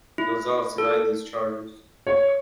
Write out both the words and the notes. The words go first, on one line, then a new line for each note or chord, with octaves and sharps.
Gonzales denied these charges.
E4
A4
C#5